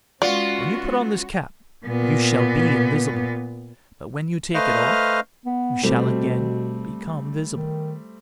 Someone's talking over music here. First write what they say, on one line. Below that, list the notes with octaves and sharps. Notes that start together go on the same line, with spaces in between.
"When you put on this cap, you shall be invisible; but when you take it off, you shall again become visible."
G#3 B3 C#4 F4 F#4 D5
A#2 B3
A3 B4 C5 D#5 F5 F6
B3
B2 G3 A3 C4
D#3